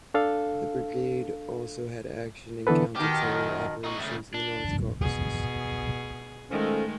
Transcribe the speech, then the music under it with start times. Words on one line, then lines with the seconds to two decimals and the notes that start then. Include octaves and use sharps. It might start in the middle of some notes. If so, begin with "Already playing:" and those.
The Brigade Also had action in counter terror operations in the north Caucuses.
0.14 D4 A4 F5
2.67 D3 E3 B3 A4 B4
2.96 B2 D#3 G4
3.21 F#2
3.84 D#4 F#4
3.98 C#3 A3
4.34 D4
5.00 B2 G#4
6.51 D#3 F3 G#3 A3 C#4 A4